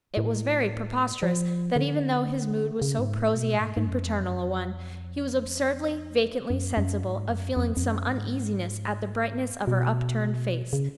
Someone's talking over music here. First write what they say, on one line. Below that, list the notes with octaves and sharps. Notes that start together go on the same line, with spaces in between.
It was very preposterous, that even though his mood was so prosaic and paternal a one, he was absurdly, vacantly sensible of feeling some uneasiness at the brightness of her upturned face.
A2
F3
D3
C#3
G#2
A2
B2
A2
G#2
G#2
F#2
F2
F#2
F2
F#2
F#2
G#2
F#2
F2
F2
F#2
G#2
B2
C#3